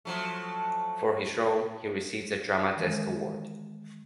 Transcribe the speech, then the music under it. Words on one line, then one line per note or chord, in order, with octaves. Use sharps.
For his role, he received a Drama Desk Award.
F3 F#3 A3
D#3 E3 G#3